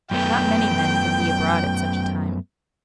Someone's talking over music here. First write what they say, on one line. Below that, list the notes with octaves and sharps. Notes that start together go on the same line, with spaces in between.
Not many men can be abroad at such a time.
F#2 A3 B3 G5